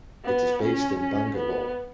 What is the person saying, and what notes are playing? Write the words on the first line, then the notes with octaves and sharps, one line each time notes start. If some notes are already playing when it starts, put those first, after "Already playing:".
It is based in Bangalore.
B3
C#4
C#4
B3